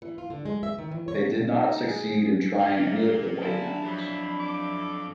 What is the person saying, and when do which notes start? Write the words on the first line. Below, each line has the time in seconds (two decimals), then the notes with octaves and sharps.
They did not succeed in trying any of the white members.
0.02 E3
0.18 F4
0.30 D3
0.46 G#3
0.63 E5
0.79 D#3
0.91 E3
1.08 C#5
1.49 D#4
1.87 G#4
2.60 A#3 F4
3.43 F#3 D4 E4 F4 G#5 A5
3.85 F2 B5
4.40 D6